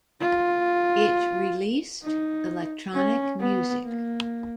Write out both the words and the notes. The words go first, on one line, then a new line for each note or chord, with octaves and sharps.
It released electronic music.
F4
D#4
C#4
B3
A#3